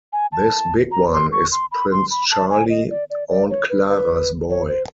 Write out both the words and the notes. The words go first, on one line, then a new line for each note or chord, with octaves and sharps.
This big one is Prince Charlie, Aunt Clara's boy.
G#5
A5
A#5
C6
C#6
C6
B5
C6
B5
A5
G#5
D#5
D5
D5
D5
C#5
B4
B4
C#5
C5